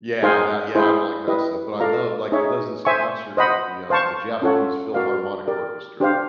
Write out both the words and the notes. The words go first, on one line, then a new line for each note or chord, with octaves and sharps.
Yeah, that yeah, I don't like that stuff, but I love like, he does this concert with the, um, the Japanese Philharmonic Orchestra
D#4 G#4 C5 F5 G#5
E4 G#4 C5
E4 G4 B4 D#5
F4 A4 D5 F5 A#5
D#4 G#4 C#5 E5
C5 E5 G#5 C#6
C5 D#5 F#5 B5
C5 F5 A5 C#6
C#4 F4 A4 C#5 F#5
F#4 A#4 D5 F5
G4 A#4 D5
D4 G4 C5 F5